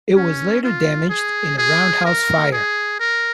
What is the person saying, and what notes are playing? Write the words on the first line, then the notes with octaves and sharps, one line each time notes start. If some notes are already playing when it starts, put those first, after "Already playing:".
It was later damaged in a roundhouse fire.
C#4
F4
G#4
G#4
A#4
G#4
A#4